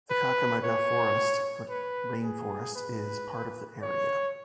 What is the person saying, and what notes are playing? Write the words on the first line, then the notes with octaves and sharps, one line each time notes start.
The Kakamega Forest rainforest is part of the area.
B4
C#5
B4
G#4
B4
C#5